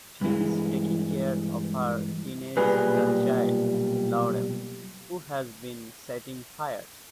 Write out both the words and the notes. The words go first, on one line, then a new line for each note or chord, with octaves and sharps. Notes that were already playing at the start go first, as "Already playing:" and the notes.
She is taking care of her teenage grandchild, Laurel, who has been setting fires.
G2 E3 G#3
B1 A#2 G3 G#4 B4